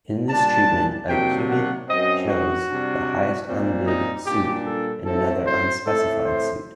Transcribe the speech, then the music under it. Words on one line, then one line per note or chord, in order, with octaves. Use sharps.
In this treatment a cuebid shows the highest unbid suit and another unspecified suit.
A#2 G3 D4 A5
C3 D#3 F#3 A#3 D4 G5
F#5
F#2 F#3 C4 D#5
F#4
C3 G3 D4
A#2 G3 C4
D#4
A#2 G3 D4 G4
A4
A2 F#3 A3 C4 A4
C5
A2 A3 C4 A4
C5